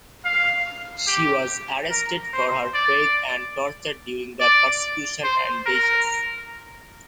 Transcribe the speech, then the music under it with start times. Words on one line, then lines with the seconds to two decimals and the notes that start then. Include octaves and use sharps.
She was arrested for her faith and tortured during the persecution of Decius.
0.25 F5
1.07 G4
1.91 A#4
2.33 C5
2.75 D5
4.40 D5
5.24 C5
5.66 A#4